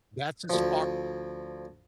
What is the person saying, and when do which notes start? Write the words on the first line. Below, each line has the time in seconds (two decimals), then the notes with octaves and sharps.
That's as far
0.50 D2 F3